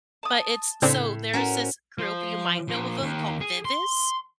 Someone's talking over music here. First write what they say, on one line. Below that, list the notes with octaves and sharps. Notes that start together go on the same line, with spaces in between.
but it's so, there's this group, you might know of ‘em, called Vivis.
A5 D#6
A2 C#3 C4 D4 B5
C#4 F#4 A#4 C5
F3
A#2 F3
D#2
G#4
C6